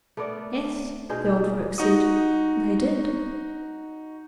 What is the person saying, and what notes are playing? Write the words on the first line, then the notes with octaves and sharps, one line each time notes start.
Yes, the old folk said, they did.
A3 B3 A#4 D5
B2 D#4 G#4 C5
D#4 F#4 C#6 D#6